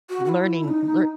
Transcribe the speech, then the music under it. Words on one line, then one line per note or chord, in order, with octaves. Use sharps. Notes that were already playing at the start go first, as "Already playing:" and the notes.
learning lear
F#4
F#4
E4
C#4
D#4